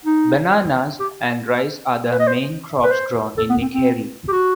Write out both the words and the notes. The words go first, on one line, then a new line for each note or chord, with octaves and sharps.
Bananas and rice are the main crops grown in Nickerie.
D#4
G4
B4
D#5
C5
B4
C5
A4
B3
C4
C4
G4
F#4